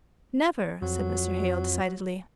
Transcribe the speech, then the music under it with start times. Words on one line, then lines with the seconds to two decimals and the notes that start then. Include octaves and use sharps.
'Never!' said Mr. Hale, decidedly.
0.82 F2 F#3